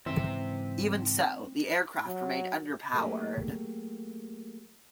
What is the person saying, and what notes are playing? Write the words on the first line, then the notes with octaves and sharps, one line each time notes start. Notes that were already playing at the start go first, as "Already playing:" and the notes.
Even so, the aircraft remained underpowered.
G#2 C#3 E3 C4 E5
F#3
F#3 A3 A#3 G4 G#4